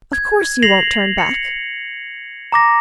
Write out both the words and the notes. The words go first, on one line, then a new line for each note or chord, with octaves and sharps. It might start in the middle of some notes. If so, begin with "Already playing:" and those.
Of course you won't turn back.
G#6
A#6 C7 F7 F#7
C#7
A#5 D6 A#6